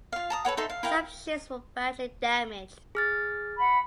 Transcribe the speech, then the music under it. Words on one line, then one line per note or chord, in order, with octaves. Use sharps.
Some ships were badly damaged.
F4 F5
A5 A#5 D#6
A4 B4 C#5 F#5
D#4 A4 E5 C6
F5
E4 A#4 F5 G5
G#4 F6 A6
F#5 B5